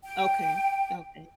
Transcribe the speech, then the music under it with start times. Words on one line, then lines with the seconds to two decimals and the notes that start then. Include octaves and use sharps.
Okay, okay.
0.04 G5